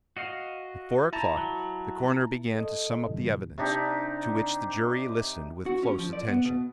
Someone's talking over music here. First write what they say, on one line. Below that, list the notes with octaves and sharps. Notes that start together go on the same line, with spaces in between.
At four o'clock the coroner began to sum up the evidence, to which the jury listened with close attention.
F#4 D#5 F5
E4 A5 A#5
F#3
A4 D#5
G2 A#2 C#3 E3 G3
C3 D4 D#4 G4
F#4
C#4
F3
D5
B3
B2